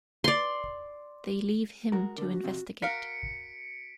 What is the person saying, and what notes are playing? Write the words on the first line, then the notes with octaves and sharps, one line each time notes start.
They leave him to investigate.
D5 C6
G#3 F#4 A#4
G2 D3 A#4
F#4
F2 C3
F#4 A#4 F5 B6 C#7 D7